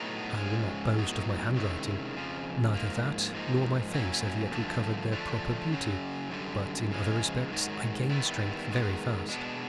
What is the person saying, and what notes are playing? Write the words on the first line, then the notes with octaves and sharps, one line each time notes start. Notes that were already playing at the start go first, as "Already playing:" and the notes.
I will not boast of my handwriting; neither that nor my face have yet recovered their proper beauty, but in other respects I gain strength very fast.
Already playing: A2 F#3 B3 D#4
G#2 F3 G#3 C#4
A2 F#3 B3 D#4
C3 D#3 G#3 C#4 E4
F2 C#3 F3
G#2 F3 A#3
G#2 F3 A#3 D#4
A#2 F#3 A#3 C#4 E4
G2 D3 F3 A3
D3 F3 A3 D4
F#2 C#3 F#3
F#2 D3 G3
C#3 F3 G#3
G#2 D#3 F#3
D#3 G3 B3 E4
G#2 D#3 G#3 B3
B2 G#3 B3 D4